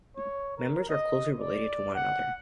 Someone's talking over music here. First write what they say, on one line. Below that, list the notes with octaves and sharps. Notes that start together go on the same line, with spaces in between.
Members are closely related to one another.
C#5
A#4
D#5
D5
F#5